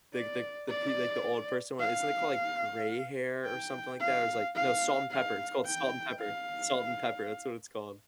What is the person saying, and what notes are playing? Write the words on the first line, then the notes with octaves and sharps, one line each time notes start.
the the the pe like, old person one. Isn't it called, like, gray hair, or something like that, or is like No, Salt and Pepper. It's called Salt and Pepper. Salt and Pepper, that's what it's called.
D5
D5
F5
G5
F5
F5
F5
G5
F5